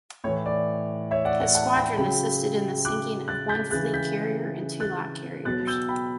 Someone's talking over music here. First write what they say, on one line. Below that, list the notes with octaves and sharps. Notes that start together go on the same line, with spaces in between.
His squadron assisted in the sinking of one fleet carrier and two light carriers.
A2 E3 C#5
D5
C#5 E5
D5 F#5
D5 F#5
F#5 A5
G5 B5
C#3 F#3 G5 B5
D6 F#6
F#6 A6
G6 B6
C#3 E3 F#6 A6
G6 B6
F#6 A6
B2 F#3 F#6 A6
E6 G6
G5 B5